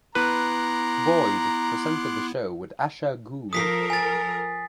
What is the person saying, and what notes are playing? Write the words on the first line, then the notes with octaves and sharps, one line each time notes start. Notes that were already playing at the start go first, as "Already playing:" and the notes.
Boyd presented the show with Asher Gould.
B3 E4 B4 A#5 C6 D6 F#6
F3 A4 A#4 D#6 B6 C7
G#5 A6